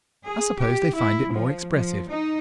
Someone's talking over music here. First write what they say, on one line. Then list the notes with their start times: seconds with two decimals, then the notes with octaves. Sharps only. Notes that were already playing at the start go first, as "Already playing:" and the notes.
I suppose they find it more expressive.
0.24 G#4
0.59 G4
0.94 E4
1.32 F3
1.73 F3
2.09 D#4